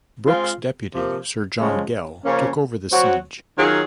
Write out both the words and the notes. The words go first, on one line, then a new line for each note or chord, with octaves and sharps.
Brooke's deputy Sir John Gell, took over the siege.
G#3 C4 F4
C3 F3 A#3
C#3 F3 G#3
C#3 F3 A#3 C#4
F#3 C4 F#4
D#3 F#3 C#4 F4 G#4